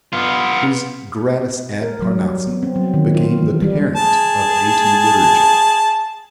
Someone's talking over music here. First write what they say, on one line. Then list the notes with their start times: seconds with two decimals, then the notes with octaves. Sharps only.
His "Gradus ad Parnassum" became the parent of Etude literature.
0.13 B3 F4
1.82 A#4
2.02 F#3
2.22 G3
2.47 B3
2.63 C4
2.76 F#3
2.94 D#3
3.14 F4
3.38 E3
3.62 G3
3.95 G#4 A5